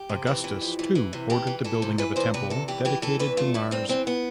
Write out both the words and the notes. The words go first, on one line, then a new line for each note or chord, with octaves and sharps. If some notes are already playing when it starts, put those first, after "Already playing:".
Augustus, too, ordered the building of a temple, dedicated to Mars.
Already playing: G4
C3
E3
E3
F2
E3
E3
C3
E3 G4
E3
E3 A4
C3
E3 B4
E2 C5
C3 B4
E2 A4
E3 G4
E3 G4
E3 A4
E2 B4
A3 F4
G2 E4
G2 C4
E3 C4
B3